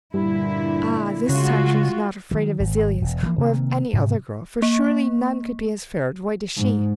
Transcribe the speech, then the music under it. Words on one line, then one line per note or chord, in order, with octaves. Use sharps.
Ah, this time she was not afraid of Aziliez or of any other girl, for surely none could be as fair and white as she.
G2 A#2 D3 E4
C#3 G#3 F4 F#4
D#3 F#3
G#1
E1
E3 F3 A#3
C3 D#3 A#3 C4
G#2 C3
A#3
G#2